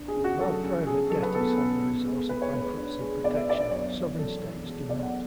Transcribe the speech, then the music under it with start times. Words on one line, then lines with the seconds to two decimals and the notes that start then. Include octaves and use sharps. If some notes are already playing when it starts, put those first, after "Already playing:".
While private debtors have the resource of bankruptcy protection, sovereign states do not.
Already playing: D4
0.08 G#4
0.16 C#3
0.24 F#4
0.40 F#3 A4
0.63 C#3
0.87 C#3 G#4
1.10 F#3 A4
1.23 B4
1.35 B3 A4
1.58 C#3
1.82 B3
2.06 G#3
2.29 G#3 B4
2.42 C#5
2.53 G#3 B4
2.77 D4
3.00 G#3
3.24 B2 D5
3.37 E5
3.47 D4 D5
3.71 F#2 C#5
3.95 E3
4.18 F#2 A4
4.42 E3
4.66 G#3
4.89 B3 D5
5.03 F#5